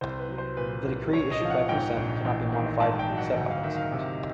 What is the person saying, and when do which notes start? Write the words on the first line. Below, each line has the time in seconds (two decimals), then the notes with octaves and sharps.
The decree issued by consent cannot be modified, except by consent.
0.01 C2 C5
0.19 B4
0.29 F#3
0.38 C5
0.57 A#2 B4
0.85 C2
1.13 A#1 C#5
1.31 D#5
1.41 F3 F5
1.50 F#5
1.68 G#2 G5
1.96 A#1
2.25 A1
2.52 D#3
2.80 G#2 A5
2.99 G5
3.08 F#3
3.18 F#5
3.36 D2 F#5
3.50 F5
3.63 D#3 E5
3.77 F5
3.92 C3